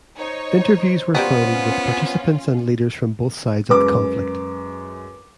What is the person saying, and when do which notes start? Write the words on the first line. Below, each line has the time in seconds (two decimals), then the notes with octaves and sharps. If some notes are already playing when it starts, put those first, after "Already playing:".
Interviews were filmed with participants and leaders from both sides of the conflict.
0.17 D#4 C5 C#5
1.15 G3 A#3 B3 C#4 F4 F#4
3.70 F#2 G#3 B4 D6